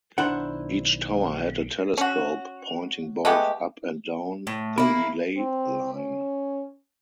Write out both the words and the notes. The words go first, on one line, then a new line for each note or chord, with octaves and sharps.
Each tower had a telescope pointing both up and down the relay line.
B1 D#3 D4 E4 C5 F#5
C#4 F#4
G#3 A3 B3 G4
A2
A#3 B3 E4
C4
C#4